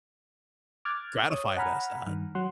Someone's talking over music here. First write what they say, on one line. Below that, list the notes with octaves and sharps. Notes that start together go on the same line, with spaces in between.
gratify it as that?
D6 F6 F#6 G#6 A6
C#5 D#6
F#5 G#5 A#5 B5 F6
G2 D#3
F#3 F#5 C6